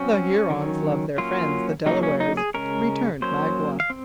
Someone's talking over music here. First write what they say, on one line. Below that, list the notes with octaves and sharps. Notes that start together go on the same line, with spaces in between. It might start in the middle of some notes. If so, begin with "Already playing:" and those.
"The Hurons love their friends the Delawares," returned Magua.
Already playing: F#3 C4 C#4
D#3 F#3 C#4
F#3 A#3 C#4 F4
C#3 F#3 A#3 D#4
C#4
D#4
G#4
C#3 G#3 C#4 A#4
F#3 A#3 C#4 C5
F5
C4